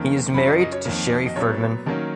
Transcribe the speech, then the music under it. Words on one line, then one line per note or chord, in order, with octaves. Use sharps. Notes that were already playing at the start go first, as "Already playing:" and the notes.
He is married to Sherry Ferdman.
Already playing: F2 D#3 A#3 C#4
F#2 C#3 F#3 B5
D#5
D#5
C#5
F2 D#3 A#3
D#5
A#2 F#3 B3 C#5
D#3 F#3 A#3 C#4